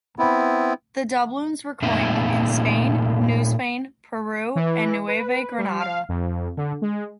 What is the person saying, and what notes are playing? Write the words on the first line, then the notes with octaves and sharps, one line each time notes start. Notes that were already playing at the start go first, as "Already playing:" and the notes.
The doubloons were coined in Spain, New Spain, Peru and Nueva Granada.
B3 C4 E4
A#2 A3 C4 D#4 E5
E3
B4
G3
F5
F2
D3
G#3